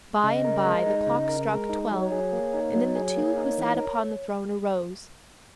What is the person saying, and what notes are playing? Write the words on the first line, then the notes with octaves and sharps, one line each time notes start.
By-and-by the clock struck twelve, and then the two who sat upon the throne arose.
C#3 D#5
A#4
G#3
D#4
C#3
A#4
G#3
D#4
F#3 C#5
G#4
A#3
D#4
F#3
G#4
A#3
D#4
E3
A#4